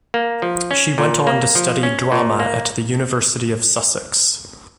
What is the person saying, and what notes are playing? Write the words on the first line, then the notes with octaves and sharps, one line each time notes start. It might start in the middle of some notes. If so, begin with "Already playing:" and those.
She went on to study drama at the University of Sussex.
A#3
F3
C#4
A#2
A#3
F3
C#4
A#2
A#3